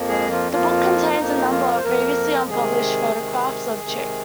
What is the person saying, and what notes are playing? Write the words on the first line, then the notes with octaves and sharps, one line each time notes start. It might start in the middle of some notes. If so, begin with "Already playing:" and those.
The book contains a number of previously unpublished photographs of Chick.
Already playing: F2 F3 A#3
G#3 G#4
F3 F4
F2 F3 A#3 F4
F4
F2 F3 A#3 D#4
F3 F4
C5
F2 F3 A#3 A#4
C3 D#3 G#3 G#4
C3 D#3 G#3
C3 D#3 G#3